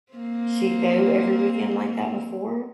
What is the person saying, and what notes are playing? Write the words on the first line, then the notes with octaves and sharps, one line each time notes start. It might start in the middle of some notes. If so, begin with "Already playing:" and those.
she go every weekend like that before?
A#3 C4